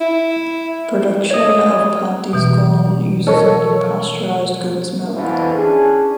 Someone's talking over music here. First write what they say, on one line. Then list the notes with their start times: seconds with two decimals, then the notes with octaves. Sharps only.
The production of Pantysgawn uses only pasteurised goat's milk.
0.01 E4
1.31 C#5 D#5
2.33 B2 E3
3.27 A4 A#4 C#5 D#5
5.14 F2 B2 D3 E3
5.55 C#4 D4 G#4